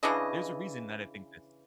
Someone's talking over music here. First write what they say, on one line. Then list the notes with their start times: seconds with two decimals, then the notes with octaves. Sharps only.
There's a reason that I think this.
0.03 C#3 E3 D4 D#5